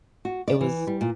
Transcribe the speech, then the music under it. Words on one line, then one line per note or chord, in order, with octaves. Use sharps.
It was
F#4
D5
E3
G3
A#2